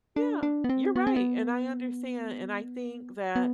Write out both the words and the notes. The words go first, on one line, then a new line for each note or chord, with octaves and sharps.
Yeah, you're right, and I understand, and I think that
D4
D4
B3
C4
B3
C4
B3
B3